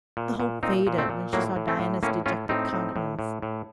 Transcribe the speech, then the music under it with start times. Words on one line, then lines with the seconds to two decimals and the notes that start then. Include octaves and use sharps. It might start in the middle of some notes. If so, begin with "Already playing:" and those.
But the hope faded when she saw Diana's dejected countenance.
0.17 A#2
0.40 A#2
0.63 A#2 C4 D#4
0.87 A#2
0.98 A3 C4
1.10 A#2
1.33 A2 F#3 A#3
1.56 A2
1.68 A3 C4
1.79 A2
2.03 A2 A#3 C#4
2.26 A2 C#4 F4
2.49 A2 C4 D#4
2.73 A2
2.96 A2
3.19 A2
3.42 A2